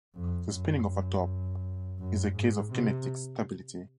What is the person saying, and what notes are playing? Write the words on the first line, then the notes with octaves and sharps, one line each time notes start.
The spinning of a top is a case of kinetic stability.
F2
F#2
F#2
G#2
C3